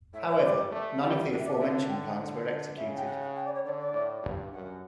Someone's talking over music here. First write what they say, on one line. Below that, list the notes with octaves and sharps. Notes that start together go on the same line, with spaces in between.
However, none of the aforementioned plans were executed.
A2 E5
C#5
G3 D5
A3
G3 D5
E5
F#5
E5
D5
E5
D3
G5
F#5
D3
C#3 E5
G5
F#5
F#5
G5
D5
C#5
D3 D5
D5
A2
G2
F#2 F#5